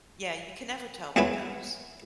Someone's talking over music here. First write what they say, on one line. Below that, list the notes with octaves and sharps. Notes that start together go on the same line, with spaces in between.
yeah, you can never tell with those,
E2 F#3 B3 E4 B4 G#5